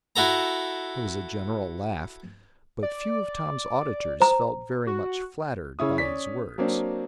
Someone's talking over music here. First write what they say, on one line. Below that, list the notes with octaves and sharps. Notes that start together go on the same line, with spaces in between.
There was a general laugh, but few of Tom's auditors felt very much flattered by his words.
E4 F#4 A4 A#5
D5
C5 A#5
F#4
C#3 C#4 E4 D#6
C#4 D5 B6
F#3 A#3 C4 D4